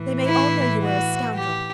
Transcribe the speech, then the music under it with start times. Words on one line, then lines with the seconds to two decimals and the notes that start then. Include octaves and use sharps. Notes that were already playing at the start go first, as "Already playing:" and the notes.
They may all know you are a scoundrel!
Already playing: A2 E3
0.27 E4
0.82 F#4
1.35 G4